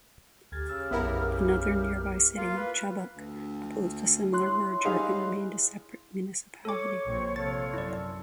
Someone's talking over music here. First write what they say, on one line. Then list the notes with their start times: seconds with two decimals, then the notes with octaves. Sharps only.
Another nearby city, Chubbuck, opposed a similar merger and remained a separate municipality.
0.52 D2 G4 F6 G#6 A6
0.68 C#3 E6 A6
0.91 B1 F#2 B3 E4 A#4
2.37 A#3 F4 F5
2.56 B4
3.17 D2
4.33 E4 C#5 C6 F#6
4.84 G3 D#4 G#4 F5
6.65 A4 C#5 D6
7.07 A#1 F3 C4 C#6
7.36 C3 F4 A4 A6
7.74 F#2 E4 D5